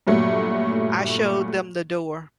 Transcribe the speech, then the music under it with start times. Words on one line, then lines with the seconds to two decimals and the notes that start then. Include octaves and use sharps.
I showed them the door.
0.07 G2 A#2 F#3 A3